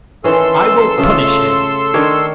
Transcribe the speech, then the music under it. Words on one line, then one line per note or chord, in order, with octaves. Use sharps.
"I will punish him."
D#3 E3 C#4 A4 C6 E6
C#3 A3 F4
D#3 D4 C#5